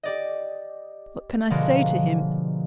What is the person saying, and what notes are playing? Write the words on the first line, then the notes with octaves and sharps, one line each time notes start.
What can I say to him?
G4 D5 D#5
B2 D3 F3 G#3 A#3 F#4